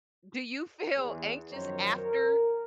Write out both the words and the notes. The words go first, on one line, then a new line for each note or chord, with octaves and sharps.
do you feel anxious after?
E2
F#2 D#3 F3 C5 C#5 A#5
A#4